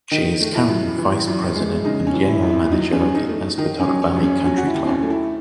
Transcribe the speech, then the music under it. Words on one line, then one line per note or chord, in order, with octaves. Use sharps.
She is currently vice president and general manager of the Aspetuck Valley Country Club.
D#3 D#4
A3
E4
F#2
E3
F#2
G#3
C#3 D#4
C#4
E3
E4
F#2
E4
F#3 D#4
C#4
F#2
D#4
A3
D#3 D#4
C#4
F#3
C#4
F#2
C#4
F#3 C#4
F#4
E4
D#2
C4
C#4
A3
E4